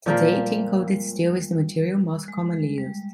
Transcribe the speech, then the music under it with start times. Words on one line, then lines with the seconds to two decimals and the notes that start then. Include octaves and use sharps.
Today, tin-coated steel is the material most commonly used.
0.06 A#2 F3 G3 A#3
0.16 G#3
0.24 G3
2.28 G#3
2.53 G#3
2.78 G3